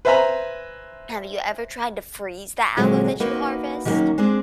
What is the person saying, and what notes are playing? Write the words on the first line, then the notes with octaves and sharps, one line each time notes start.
have you ever tried to freeze the aloe that you harvest?
B4 C5 E5 G#5 A#5 B5
A#2 D3 F#3 G#3 C4
A#3 D#4 F#4 B4
D#3 F#3 G3 A3 A#3 C#4
G#3 C4 D4 G#4 D5